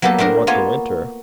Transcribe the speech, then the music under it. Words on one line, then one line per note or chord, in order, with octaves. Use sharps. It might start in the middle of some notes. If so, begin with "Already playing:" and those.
And what the winter?
F#3 A#3 B3 G4 A4
A3 C4 D4 A#4
A#3 B3 F4 C#5 G#5